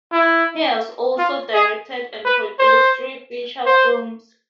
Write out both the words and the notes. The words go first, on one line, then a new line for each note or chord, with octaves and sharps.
He has also directed and produced three feature films.
E4
F4
G#4
B4
C5
C5